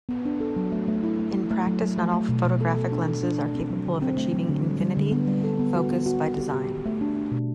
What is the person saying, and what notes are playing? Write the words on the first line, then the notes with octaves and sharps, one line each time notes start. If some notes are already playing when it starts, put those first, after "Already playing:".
In practice, not all photographic lenses are capable of achieving infinity focus by design.
B3
D4
A4
F#3
A3
A3
E4
A3
E4
A3
F#3
F#3
A3
A3
B2
B2
A4
A4
D4
A4
D4
A3
C4
F#3
D3
C4
A3
F#3
D3
G3
G3
D3
B3
G3
A4
B3
F#4
B3
F#4
F#4
G4
G4
G4
A3
D4
D4
B2